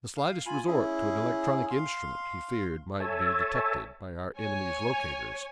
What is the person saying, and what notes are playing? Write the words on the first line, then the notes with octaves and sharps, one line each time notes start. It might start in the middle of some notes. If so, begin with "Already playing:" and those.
The slightest resort to an electronic instrument, he feared, might be detected by our enemies' locators.
F5
F4 G#5 B5
C#4 E4 G#4
F5 C6
A4 C#5 E5 G#5 A5
C#5 G#5